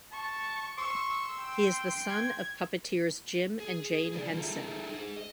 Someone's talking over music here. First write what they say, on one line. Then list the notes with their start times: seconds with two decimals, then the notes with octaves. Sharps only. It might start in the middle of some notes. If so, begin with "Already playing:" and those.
He is the son of puppeteers Jim and Jane Henson.
0.13 A5 C#6
0.78 C6 C#6 E6
1.38 G5
2.08 G#6
3.60 G#4
4.12 C#3 D4 D#4 G#4
4.24 D#3 F4
4.37 D#4 G#4 A4 E5 A#5
4.89 D#4 G#4
5.17 D#5